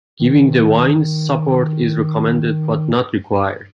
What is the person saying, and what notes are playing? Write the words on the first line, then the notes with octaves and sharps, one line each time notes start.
Giving the vines support is recommended, but not required.
D#3